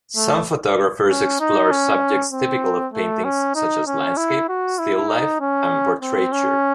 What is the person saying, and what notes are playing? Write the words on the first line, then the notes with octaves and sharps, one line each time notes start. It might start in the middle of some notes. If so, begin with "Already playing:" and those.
Some photographers explore subjects typical of paintings such as landscape, still life, and portraiture.
A3
C#4
D#4
C#4
C4
A3
C#4
D#4
C#4
E4
F#4
E4
D#4
C#4
C4
C#4